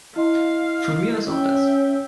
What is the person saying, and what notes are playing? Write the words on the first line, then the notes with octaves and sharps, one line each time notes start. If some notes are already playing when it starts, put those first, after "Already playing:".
Von mir aus auch das.
E4 D#5 F5 C6
C#4 E5 G5